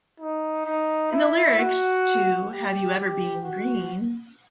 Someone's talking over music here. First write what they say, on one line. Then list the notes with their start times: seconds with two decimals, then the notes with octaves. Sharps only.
In the lyrics to Have You Ever Bean Green?
0.20 D#4
0.66 D#4
1.12 E4
1.59 F#4
2.50 G4
2.96 G4
3.43 F#4